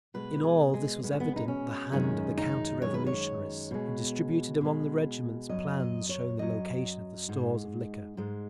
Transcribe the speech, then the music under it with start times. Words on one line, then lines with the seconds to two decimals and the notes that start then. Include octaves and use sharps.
In all this was evident the hand of the counter-revolutionists, who distributed among the regiments plans showing the location of the stores of liquor.
0.14 B2 G#3 B4
0.44 G#4
0.74 G#3
1.03 B2 G#3 B3
1.12 C#4
1.20 B3
1.36 D#4
1.48 C#4
1.92 F#2 D#3 G#3 C#4
2.38 D#4
2.81 F#2 D#3 G#3 C#5
2.94 B4
3.06 C#5
3.71 B2 G#3
4.61 B2 G#3
5.49 F#2 F#3 D#5
5.80 D#5
6.09 C#5
6.39 F#2 F#3 D#5
7.29 G#2 G#3
8.17 G#2 G#3